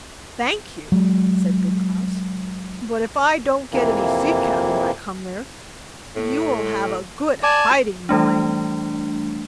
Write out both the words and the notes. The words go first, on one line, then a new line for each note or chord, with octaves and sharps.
'Thank you,' said Big Klaus; 'but if I don't get any sea-cattle when I come there, you will have a good hiding, mind!'
F#3 G#3
F2 C3 E3 A#3
A2
D5 G#5 A5
E3 G3 A3 D4